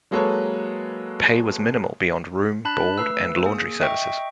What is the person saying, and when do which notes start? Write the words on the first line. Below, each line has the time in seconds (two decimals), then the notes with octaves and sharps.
Pay was minimal beyond room, board, and laundry services.
0.11 F#3 G#3 A#3 A4 B4 C#5
2.65 D4 A5 B5 F#6
2.98 A3 B4 E6
3.42 A#3 G#4
3.80 D#5 E5 G5 C#6